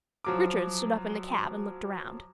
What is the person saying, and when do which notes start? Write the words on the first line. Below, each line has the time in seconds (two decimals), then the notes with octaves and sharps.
Richard stood up in the cab and looked around.
0.24 F3 F#3 D6